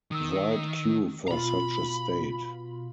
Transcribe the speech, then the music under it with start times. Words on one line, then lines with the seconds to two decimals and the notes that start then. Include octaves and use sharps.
Write "q" for such a state.
0.11 D#3 D#6 E6
1.28 B2 F4 A#5 B5